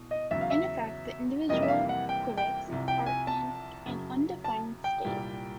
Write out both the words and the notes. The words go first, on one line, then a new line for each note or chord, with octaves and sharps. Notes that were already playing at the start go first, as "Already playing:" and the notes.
In effect, the individual qubits are in an undefined state.
Already playing: B2 E4
D#5
E2 C#3 F#3 E5
F5
E5
F2 C3 E3 G3 A#3 D#5
E5
F5
F#5
G5
G5
C2 C3 F3
G5
G#5
A5
F#2 C#3 F#3
A5
G5
C2 A#2 G3